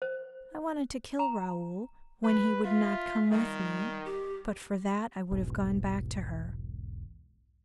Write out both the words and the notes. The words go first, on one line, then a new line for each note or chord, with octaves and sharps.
I wanted to kill Raoul when he would not come with me, but for that I would have gone back to her....
C5
A#5
F#3 B4
F4 E5
D#3 G3
G4
E1 B1 G#2